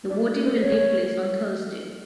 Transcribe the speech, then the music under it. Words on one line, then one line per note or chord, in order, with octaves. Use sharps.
The voting will take place on Thursday.
D5
C5
C#5